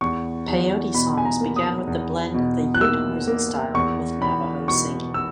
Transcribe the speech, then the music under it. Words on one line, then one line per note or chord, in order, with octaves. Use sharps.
Peyote songs began with the blend of the Ute music style with Navajo singing.
E2 C#6
E2
B2 B5
G#5
A#5
A#3
D#6
E2
B2
F#6
A#3 E6
A#3
E2 C#6
E2 B5
B2 C#6
E6